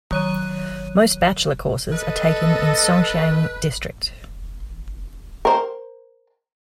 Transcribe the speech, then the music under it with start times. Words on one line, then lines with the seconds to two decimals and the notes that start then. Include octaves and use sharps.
Most bachelor courses are taken in Songjiang district.
0.11 D#3 F#3 C#5 F#6 D#7
1.92 A4 B4 D#5
5.45 A#4 C5